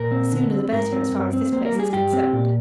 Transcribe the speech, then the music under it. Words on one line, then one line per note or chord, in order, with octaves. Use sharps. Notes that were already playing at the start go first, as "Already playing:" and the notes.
"The sooner the better as far as this place is concerned."
Already playing: A#2 A#4
C4
D3
C4
G#2 A#4
C4
G2
C4
A#3 C5
A#4
G3
G#4
G2 G4
C4
A#2